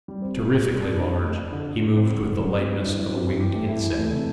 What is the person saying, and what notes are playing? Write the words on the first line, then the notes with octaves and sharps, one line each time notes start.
Terrifically large, he moved with the lightness of a winged insect.
G3
C4
B2
G4
G3
D4
E3
G4
A3
D4
D3
D3
A3
C4
D3
D3
F#3
C4
G2
E4
F#3
C4
E3
G4
A3
E4
E2
A3
C3